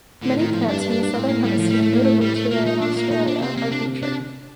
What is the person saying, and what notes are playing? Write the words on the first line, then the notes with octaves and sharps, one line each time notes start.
Many plants from the southern hemisphere, notably Chile and Australia, are featured.
A2 D3
D#3
F3
G2 D4
D4
D4
D4
A2 C4
A#3
G3
F3
G3
A3
A#3
A3
G3
A3
A#2 A#3
D#4
D4
A#3
D#4
D4
C3 C4
A#3
D4
D4